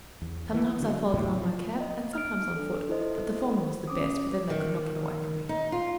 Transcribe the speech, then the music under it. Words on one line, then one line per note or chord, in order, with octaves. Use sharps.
Sometimes I followed them on my cab, and sometimes on foot, but the former was the best, for then they could not get away from me.
E2
E3 B3
D3 F#3
E2 A2 C3
F3
D#5
F6 D7
D4 A4
E4 A4 C5 D#5
C#4 D6 D#6
D#3
D#4
F4